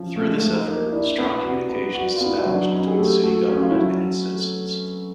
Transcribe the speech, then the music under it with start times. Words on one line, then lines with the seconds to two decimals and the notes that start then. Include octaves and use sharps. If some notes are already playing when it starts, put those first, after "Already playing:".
Through this effort, strong communication is established between city government and its citizens.
Already playing: F3 C#4
0.16 F3 A3
0.26 G#3
0.36 A3
0.42 F3
0.54 D#4
0.67 A#3
0.92 D4 E4
1.18 B3
1.43 F#4
1.69 B3
1.95 F#4
2.16 B3 F4
2.26 E4
2.36 D#4
2.46 F#3 D4
2.72 C#4 D#4
2.87 G#4
2.98 A3 G4
3.23 A3 F#4
3.49 C#4
3.62 F4
3.71 F#3 E4